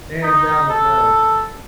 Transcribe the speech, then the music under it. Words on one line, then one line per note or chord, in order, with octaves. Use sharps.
hands-down the best!
D#4
A4